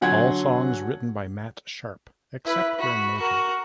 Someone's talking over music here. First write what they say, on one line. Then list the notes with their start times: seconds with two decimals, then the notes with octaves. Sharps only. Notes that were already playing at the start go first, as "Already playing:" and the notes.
All songs written by Matt Sharp, except where noted.
0.01 D3 F#3 F#5 G#5 C6 G#6
2.45 E4 B4
2.79 F#4 B5
3.18 F#4 A#4